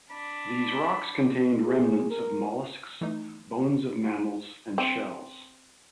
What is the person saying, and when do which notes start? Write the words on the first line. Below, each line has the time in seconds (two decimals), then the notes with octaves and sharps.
These rocks contained remnants of molluscs, bones of mammals, and shells.
0.10 D4 B5
1.65 G#4
2.10 A#4
3.01 E3 A3 D#4
4.78 C4